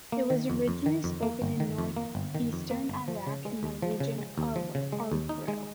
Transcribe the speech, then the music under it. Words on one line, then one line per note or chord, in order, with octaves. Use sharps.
It was originally spoken in northeastern Iraq, in the region of Arbil.
A#3
D#3
F2
F2
D#3
F2
A#3
G1
D#3
F2
A#3
G1
D#3
F2
A#3
G1
F3
C#3
G#3
D#2
F3
C#3
G#3
D#2
F3
C#3
G#3
D#2
D#4
G#3